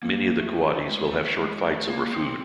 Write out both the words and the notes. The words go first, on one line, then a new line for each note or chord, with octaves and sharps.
Many of the coatis will have short fights over food.
A#3
A3
A3
G#3
A3
A3
G#3
A3
A#3
C4